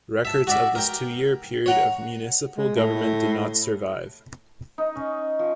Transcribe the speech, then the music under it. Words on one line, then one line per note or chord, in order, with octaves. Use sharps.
Records of this two-year period of municipal government did not survive.
E5 A5
F#4 D5 E5
A#4 G5
C#5 F#5 A#5
G#3
A2
D#4
C#4
F3